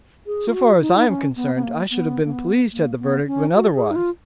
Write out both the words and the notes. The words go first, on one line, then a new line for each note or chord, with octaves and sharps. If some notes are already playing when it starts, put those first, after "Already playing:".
So far as I am concerned I should have been pleased had the verdict been otherwise.
G#4
F4
F#4
D#4
F4
D#4
C#4
B3
B3
A#3
B3
A#3
B3
A#3
B3
C#4
F#4
G#4
D#4
F4